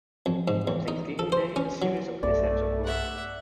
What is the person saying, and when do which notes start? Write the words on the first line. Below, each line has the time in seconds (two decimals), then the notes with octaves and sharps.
On Thanksgiving Day, a series of mishaps occur.
0.26 F2
0.48 G#2
0.67 E2
0.88 D#4
1.19 A4
1.32 C5
1.56 C#4
1.82 F#3
2.23 B1 G2 A3 B3 D5
2.84 E5 F#5